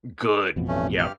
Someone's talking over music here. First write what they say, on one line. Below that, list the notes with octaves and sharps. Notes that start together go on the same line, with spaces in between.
Good. Yep.
A1 F2 B2
G2 A3 C#4
G2 G4 F6